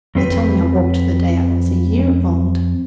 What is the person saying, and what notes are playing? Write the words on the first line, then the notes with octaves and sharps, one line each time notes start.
They tell me I walked the day I was a year old.
F2 C4 B4